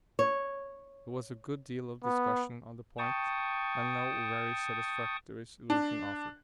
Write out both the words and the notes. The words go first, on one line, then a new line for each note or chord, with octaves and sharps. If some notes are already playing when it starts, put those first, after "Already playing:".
There was a good deal of discussion on the point and no very satisfactory solution offered.
C#5
B3
G5 A5 C#6 D#6
D4